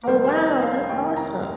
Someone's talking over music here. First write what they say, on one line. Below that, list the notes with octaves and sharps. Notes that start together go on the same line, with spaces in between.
Oh wow, that's awesome.
A#4
F1 D#2 D#3 G3 A#3 C5
C5
D#5
F5
F1 D#2 D#3 G5
A#5